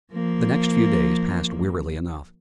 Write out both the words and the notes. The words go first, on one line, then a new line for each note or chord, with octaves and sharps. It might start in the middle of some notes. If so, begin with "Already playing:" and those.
The next few days passed wearily enough.
F3 A#3